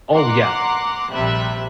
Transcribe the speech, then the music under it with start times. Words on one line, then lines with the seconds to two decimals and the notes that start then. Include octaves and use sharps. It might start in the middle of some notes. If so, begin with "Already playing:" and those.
oh, yeah.
0.13 F#5 A#5 C6 D6 F#6
1.10 A#1 C3 G3 E5 F#6